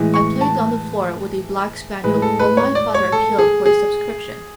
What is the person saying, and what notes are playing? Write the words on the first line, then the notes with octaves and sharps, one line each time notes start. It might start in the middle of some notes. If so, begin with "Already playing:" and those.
I played on the floor with a black spaniel while my father appealed for a subscription.
Already playing: A2 E3 G#3
C#6
A5
A2 G#3 B4
A4
B4
C#5
D5
C#5
A4
G#4
G#4